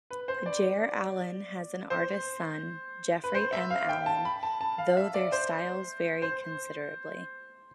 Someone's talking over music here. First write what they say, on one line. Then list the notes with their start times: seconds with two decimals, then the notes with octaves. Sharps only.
Jere Allen has an artist son, Jeffery M. Allen, though their styles vary considerably.
0.10 B4
0.28 C5
0.46 D5
1.90 C5
3.24 B4
3.35 C5
3.53 E5
3.70 F5
3.89 G5
4.06 A5
4.25 B5
4.43 A5
4.61 A5
4.78 F5
4.97 E5
5.14 D5
5.32 C5
6.22 C5